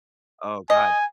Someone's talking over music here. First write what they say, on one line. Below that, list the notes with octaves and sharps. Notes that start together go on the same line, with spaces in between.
Oh, god.
D#5 G#5